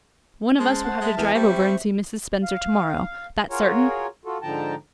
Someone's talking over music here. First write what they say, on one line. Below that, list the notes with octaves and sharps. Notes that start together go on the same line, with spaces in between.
One of us will have to drive over and see Mrs. Spencer tomorrow, that's certain.
G#3 C#4 C5 A5
C5 F#5
G#3 E5
E2 F6
G3 C4 C#6
F5
F4 F#4 G#4 A#4 C#5
F4 F#4 A4
G#2 D3 F3 G5 A5 A#5